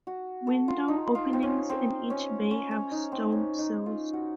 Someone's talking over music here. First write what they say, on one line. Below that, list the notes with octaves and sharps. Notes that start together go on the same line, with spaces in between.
Window openings in each bay have stone sills.
F#4
A4
F4
D#4
F4
C4
C#4
C4
C#4
C#4
C#4
D#4
C4
C#4
D#4
F4
F#4